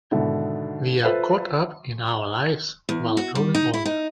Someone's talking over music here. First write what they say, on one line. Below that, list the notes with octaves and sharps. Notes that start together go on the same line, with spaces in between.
We are caught up in our lives while growing older.
G#2 B2 D3 D#3 E4
F4 A4 B4 C5 E5 F5
E2
F#4
G3
D#4
E4
D#4